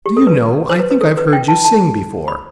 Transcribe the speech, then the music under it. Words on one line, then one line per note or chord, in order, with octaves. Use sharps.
"Do you know, I think I've heard you sing before."
G4
A4
B4
C5
B4
B4
A4
B4
G5
A5
A5
B5